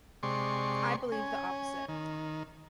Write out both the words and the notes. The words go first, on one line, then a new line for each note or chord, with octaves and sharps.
I believe the opposite.
C3 G#3 D5 C6 C#6
C#4 G#5
D#3